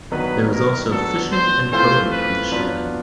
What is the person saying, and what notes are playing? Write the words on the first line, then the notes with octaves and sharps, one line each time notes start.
There is also fishing and boating on the Shannon.
G2 D#3 F#3 B3 B4
A#4
F#3 B3 D4 A4
C5
E3 A3 C4 F4 C5
B4
F#3 B3 D4 F4